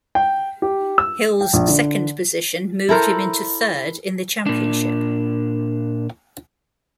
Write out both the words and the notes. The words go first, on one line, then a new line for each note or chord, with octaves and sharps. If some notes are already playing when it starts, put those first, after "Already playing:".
Hill's second position moved him into third in the championship.
G5
G4
E6
G5
A#1
D3
E4 A4 A#4 C5
A#2 D4